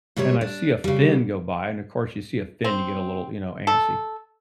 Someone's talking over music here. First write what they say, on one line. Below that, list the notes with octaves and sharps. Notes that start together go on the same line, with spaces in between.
and I see a fin go by, and of course, you see a fin, you get a little, you know, antsy;
G#2 C3 G3 C#5
D4
C#3 G3
C4
A4